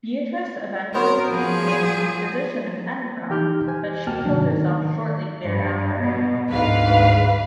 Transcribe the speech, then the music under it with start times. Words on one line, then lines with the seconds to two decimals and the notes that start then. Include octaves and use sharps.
Beatrice eventually became a physician in Edinburgh, but she killed herself shortly thereafter.
0.94 F#3 B3 A#4 C5
1.31 F3 G#4
1.67 C5
3.30 E3 D#4 G4 D6 F6 G6
3.68 C5 G#5
4.07 D2 A#3 F#4 G5 A5 F6
4.25 G#2 C3 D#3 F#3 D4
4.50 D#3
5.43 G2
6.00 B2
6.50 D2 G#2 B4 F5